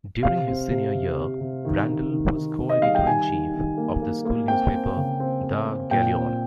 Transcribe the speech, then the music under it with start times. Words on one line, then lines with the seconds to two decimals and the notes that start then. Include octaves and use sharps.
During his senior year, Randall was co-Editor-in-Chief of the school newspaper, "The Galleon".
0.23 C3 F5
0.47 C4
0.71 C3
0.94 C3
1.18 C3
1.41 C3
1.65 D#3
1.88 D#3
2.12 D#3
2.35 D#3
2.60 D#3
2.70 D#5
2.82 G3 F5
2.95 G5
3.06 D#3 G#5
3.31 D#3
3.54 D#3
3.78 A#3
4.02 A#3
4.25 A#3
4.48 C4 G5
4.73 C4
4.96 C#3
5.20 C4
5.43 C4
5.67 C4
5.91 A#2 G5
6.14 C4